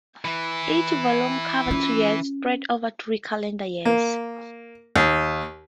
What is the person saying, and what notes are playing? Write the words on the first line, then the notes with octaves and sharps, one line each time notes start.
Each volume covered two years, spread over three calendar years.
E3 E4
C#4 F4
A#3
D#2